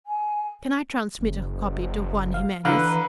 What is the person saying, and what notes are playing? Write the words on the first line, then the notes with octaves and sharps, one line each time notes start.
Can I transmit a copy to Juan Jimenez?
G#5
F#1
F5
D3 E3 B4 F5 A#5 F#6